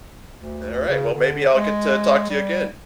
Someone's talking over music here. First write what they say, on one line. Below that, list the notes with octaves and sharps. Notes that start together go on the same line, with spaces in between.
Alright, well, maybe I'll get to talk to you again.
D2
C#3
D3
G#3
G3